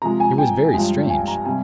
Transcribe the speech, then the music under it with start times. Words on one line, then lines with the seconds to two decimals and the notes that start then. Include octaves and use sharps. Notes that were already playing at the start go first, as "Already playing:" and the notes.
It was very strange!
0.02 C3 F3 G#3 A#5
0.20 G#5
0.38 G5
0.74 G2 F3 G#3
1.10 G#5
1.28 A#5
1.45 C3 G3 G#5